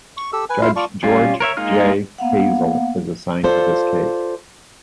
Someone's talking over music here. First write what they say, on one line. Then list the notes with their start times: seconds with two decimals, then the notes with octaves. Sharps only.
Judge George J. Hazel is assigned to this case.
0.17 C#6
0.33 G4 A4 E6
0.50 B4 G#5
0.62 E4 F4 F5
0.76 F4 D5 A5 C#6
1.03 G3 C#4 F4
1.40 A#4 C#5 E5
1.57 G#3 A#3 D#4 F4 F6
2.18 A#3 B3 F5 F#5
3.44 F4 A4 C5 D5